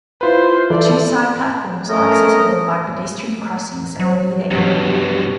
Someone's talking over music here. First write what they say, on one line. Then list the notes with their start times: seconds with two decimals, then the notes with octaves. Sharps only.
The two Side platforms are accessible by pedestrian crossings at either end.
0.21 E4 F4 B4 C5
0.70 E3 E4 A4 D5
1.89 A3 C#4 A#4 D#5
4.00 F#3 C5
4.51 G2 B2 F#3 G4